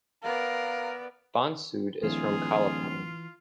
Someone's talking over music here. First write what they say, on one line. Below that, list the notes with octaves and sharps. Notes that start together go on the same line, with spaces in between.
Bansud is from Calapan.
B3 A#4 D5 F5
D1 E3 F4 G#4